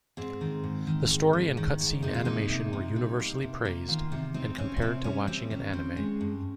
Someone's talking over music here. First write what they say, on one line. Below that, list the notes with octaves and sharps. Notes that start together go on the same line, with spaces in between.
The story and cutscene animation were universally praised, and compared to watching an anime.
G#2 C4
D#3
G#2
D#3
G#2
D#3
D#3
G#2
C3 D#4
F4
A#3 D#4
C3
C3
G3
A#3
C3
A#3
D#3 F4
C3
C4 D#4
C4 C#4
C#4
C3 C4
G3 C#4
G3 C4
D#3 C#4
C4
G#3
G2